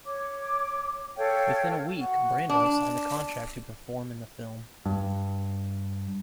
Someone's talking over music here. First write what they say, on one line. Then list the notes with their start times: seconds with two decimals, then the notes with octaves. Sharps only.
Within a week, Brando signed a contract to perform in the film.
0.05 C#5 D6
1.17 A4 C#5 F5 G5
1.99 F#4
2.49 D4
4.86 G2